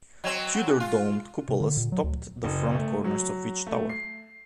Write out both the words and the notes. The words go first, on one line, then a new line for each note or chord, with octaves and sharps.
Tudor domed cupolas topped the front corners of each tower.
F#3 C4 D#5 G#6 F7
F#5
G#5 F#6
F4 F5
C3
D3
A#2
F#3
D2
F#1
A3
F#3
A3
C7